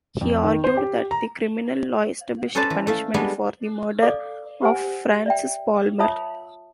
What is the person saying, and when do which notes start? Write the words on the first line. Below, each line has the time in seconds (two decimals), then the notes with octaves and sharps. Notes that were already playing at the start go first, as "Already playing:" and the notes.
He argued that the criminal law established punishment for the murder of Francis Palmer.
0.21 F2
0.43 D#3
0.64 C5
0.77 G4
1.11 A#5
2.55 C#4 A4 B4 C5 D5 A5
2.70 E3
2.87 A3 E5 F5
3.14 G3 G#3 B3 D4
4.02 A4 D5 F5 D6
4.62 G4 C5 F#5 G#5
5.26 D5 E5 G5
5.99 F4 C#5 E5 A5 D#6